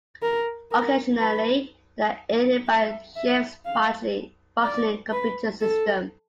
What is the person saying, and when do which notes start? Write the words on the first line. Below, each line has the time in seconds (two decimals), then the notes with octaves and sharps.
Occasionally, they are aided by the ship's partially functioning computer system.
0.23 A#4
0.71 A#4
1.20 B4
2.67 E5
3.16 E5
3.65 F5
4.63 D5
5.12 B4
5.61 A4